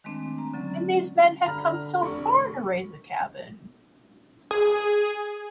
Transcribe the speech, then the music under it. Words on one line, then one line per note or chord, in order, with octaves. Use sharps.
And these men had come so far to raise a cabin!
D#3 G#3 A3 C4 D4
A#5
D3 F#3 C#4
D3 A#5 B5 F6
F1 C#6
G#4